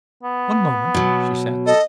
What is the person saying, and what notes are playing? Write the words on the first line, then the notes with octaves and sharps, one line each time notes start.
"One moment," she said.
B3
B2 F#3
A4 D#5